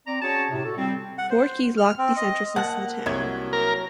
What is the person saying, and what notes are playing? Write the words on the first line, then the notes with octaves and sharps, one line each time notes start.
Four keys locked these entrances to the town.
C4 D5 A#5
C#4 F#4 G#4 C#5 A5
A2 C3
F#4 A4
G3 C4
F#5
C5
F6
C4
D#5
A#3 F#5 A5 F#6
C2 F#3 G#6
A#4